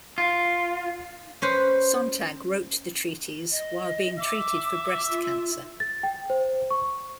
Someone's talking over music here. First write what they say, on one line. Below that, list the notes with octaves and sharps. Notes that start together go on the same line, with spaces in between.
Sontag wrote the treatise while being treated for breast cancer.
F4
C#4 B4 C5
D#5
E5 D6
F4
A6
G5
C5
C#6